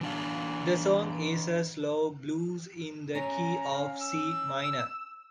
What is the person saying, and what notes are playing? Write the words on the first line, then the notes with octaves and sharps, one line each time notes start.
The song is a slow blues in the key of C minor.
E3 D4 F5
C#4 A#5
F5
E6